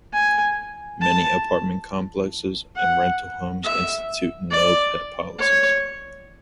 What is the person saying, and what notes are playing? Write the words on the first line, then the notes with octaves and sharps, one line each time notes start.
Many apartment complexes and rental homes institute no pet policies.
G#5
A5
F#5
E5
D5
C#5